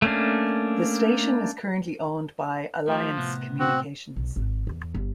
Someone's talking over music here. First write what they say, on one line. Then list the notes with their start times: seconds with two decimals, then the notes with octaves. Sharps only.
The station is currently owned by Alliance Communications.
0.02 A3 A#3 C#4 D4
2.88 F3 A3 G4
3.17 A2 C3 B3
3.59 C4 F#4
4.16 B1
4.36 G#1
4.67 E2
4.95 G1